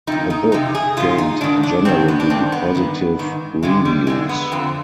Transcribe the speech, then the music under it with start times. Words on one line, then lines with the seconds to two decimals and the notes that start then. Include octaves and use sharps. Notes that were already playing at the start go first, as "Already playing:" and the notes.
The book gained generally positive reviews.
0.07 F2 D#3 D#4
0.30 D#4
0.52 F2 C3 D#4
0.75 G#4
0.97 G#2 D#3 F4
1.18 D#4
1.41 G#2 D#3 D4
1.63 D4
1.85 G#2 D#3 C4
2.08 B3
2.20 D4
2.30 G2 D#3 C4
2.52 B3
2.75 G2 D#3
3.19 G#2 D#3
3.63 G2 D3 G#3
3.85 G3
4.07 F2 D3 G#3
4.29 B3
4.52 F2 D3 C4